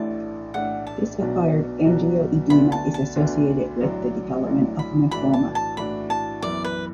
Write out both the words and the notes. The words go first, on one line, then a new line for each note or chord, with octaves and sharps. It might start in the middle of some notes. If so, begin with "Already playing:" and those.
This acquired angioedema is associated with the development of lymphoma.
Already playing: A1 A2 A3 D4 A5
A1 A2 A3 D4 F#5
A5
B1 B2 F#3 D4 F#4
B1 B2 F#3 D4 F#4
D2 D3 B3 D4 F#4 B5
A5
A5
D2 D3 B3 D4 F#4
A1 A2 F#3 D4
A1 A2 F#3 D4
B5
A2 E3 D4 F#4 B5
A5
A5
A2 E3 D4 F#4 B5
A5
F#2 E3 B3 D5
B4